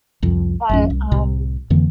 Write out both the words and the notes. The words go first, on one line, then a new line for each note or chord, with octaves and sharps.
but, um,
C2 F2
G#1 F2 C#4
C2
C2 A2 C3
F2 D3 E3 A#3